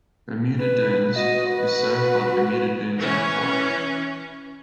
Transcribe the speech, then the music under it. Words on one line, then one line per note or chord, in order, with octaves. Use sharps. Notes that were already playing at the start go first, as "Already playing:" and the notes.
Bermuda Dunes is served by the Bermuda Dunes Airport.
B4
F#4 D#5
F#4 B4
E3 C#4